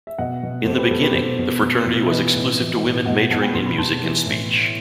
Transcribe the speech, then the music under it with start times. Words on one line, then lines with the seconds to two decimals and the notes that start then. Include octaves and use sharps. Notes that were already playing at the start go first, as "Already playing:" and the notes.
In the beginning, the fraternity was exclusive to women majoring in music and speech.
0.07 E5
0.18 B2 D#5 F#5
0.43 B2
0.66 B2 A4 C5
0.78 G4 B4
0.91 B2 A4
1.02 G4 B4
1.14 B2 A4 C5
1.39 B2
1.62 B2
1.86 B2
2.03 E5
2.10 E3 B4 D#5
2.35 A2
2.58 E3
2.83 A2
3.06 B2 D#5 F#5
3.30 B2 F#5 A5
3.42 G5 B5
3.54 B2 C6
3.66 B5
3.78 B2 A5 C6
4.03 E3
4.26 A2